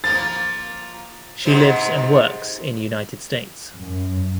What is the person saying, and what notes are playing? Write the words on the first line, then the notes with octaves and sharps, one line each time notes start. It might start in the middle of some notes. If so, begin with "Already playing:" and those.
She lives and works in United States.
F3 A#3 A6
G#2 C3 C5
F#2